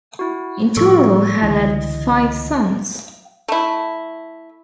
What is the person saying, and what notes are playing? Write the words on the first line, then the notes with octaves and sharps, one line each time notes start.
In total, had had five sons.
E4 F#4
A2 F3 G3 A4 C#6
C#2 D3 E3 D#5
A3 E4